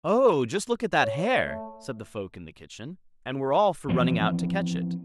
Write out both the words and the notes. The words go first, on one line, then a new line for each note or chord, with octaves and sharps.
'Oh, just look at that hare!' said the folk in the kitchen, and were all for running out to catch it.
C#5
A3
E3 F3 B3 C4